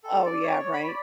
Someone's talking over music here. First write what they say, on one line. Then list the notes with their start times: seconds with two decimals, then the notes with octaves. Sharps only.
Oh, yeah, right?
0.04 A4
0.25 D5
0.43 C#5
0.60 C#5
0.73 B5
0.88 D5